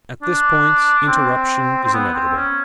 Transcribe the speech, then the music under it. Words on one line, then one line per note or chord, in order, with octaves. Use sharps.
At this point, interruption is inevitable.
D4
C4
C4
B3
C4
C#4